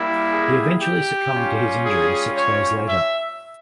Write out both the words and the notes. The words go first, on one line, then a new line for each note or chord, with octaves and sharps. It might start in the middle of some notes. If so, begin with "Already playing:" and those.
He eventually succumbed to his injuries six days later.
Already playing: G3 A#3 E4
G#4
G4
G3 C#4 F4
G#4
C#5
E5